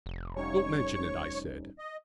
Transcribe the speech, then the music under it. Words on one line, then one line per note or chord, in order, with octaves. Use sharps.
"Don't mention it," I said.
F1
G3 C#4 D#4 C#5 C#6
D#5